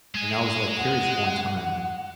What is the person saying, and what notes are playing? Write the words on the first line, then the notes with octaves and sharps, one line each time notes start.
and, I was, like, curious one time,
G#3 G#5
F#5